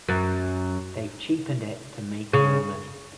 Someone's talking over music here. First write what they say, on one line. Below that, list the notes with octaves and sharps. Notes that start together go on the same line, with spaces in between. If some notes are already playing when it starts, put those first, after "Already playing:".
They've cheapened it to make more money.
F#2
C#3